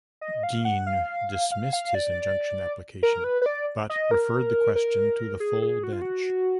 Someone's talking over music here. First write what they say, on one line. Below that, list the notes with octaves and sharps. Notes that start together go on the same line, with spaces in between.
Deane dismissed his injunction application, but referred the question to the full bench.
D#5
F5
F#5
F5
F5
F5
D5
A#4
B4
B4
D5
D#5
A#4
A#4
G#4
G#4
F#4
F4
F#4